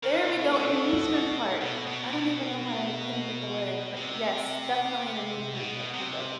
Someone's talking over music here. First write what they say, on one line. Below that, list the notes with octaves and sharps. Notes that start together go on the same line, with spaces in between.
There we go, an amusement park. I don't even know why I couldn't get the word, but, yes, definitely an amusement park, kind of.
C#3 A#4
C3
B2
A4
A#2
B2
B2
B2
A#2
B2
A#4
C3
B4
B2
C3